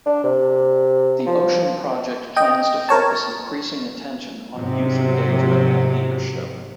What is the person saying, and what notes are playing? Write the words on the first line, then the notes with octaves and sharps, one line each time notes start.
The Ocean Project plans to focus increasing attention on youth engagement and -leadership.
D4
C3
F3
D#5 G5
A#4 C#5 A5
G#2 C3 F#3